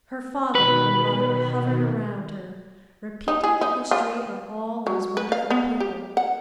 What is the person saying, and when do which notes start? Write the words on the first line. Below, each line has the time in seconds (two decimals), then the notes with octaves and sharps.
Her father and mother hovered around her, repeating the history of all those wonderful people.
0.55 B2 D#3 B4
3.28 D#4
3.44 G#4
3.61 D#4
3.91 F4
4.87 F#3
5.17 B4
5.32 F5
5.50 B3
5.80 G4
6.17 F#5